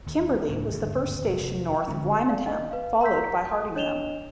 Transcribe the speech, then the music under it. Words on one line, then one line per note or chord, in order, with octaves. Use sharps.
Kimberley was the first station north of Wymondham followed by Hardingham.
D#2
C#2 A2 A#3
G1 D#2 G#2 B2
F1 D#2
D3 F3 G#3 C#4
D5 F5
D#5
B4 F5
A#5 C6 E6 G6 B6
A5 D#6
D4 C#5 D#5 E7 F7 G7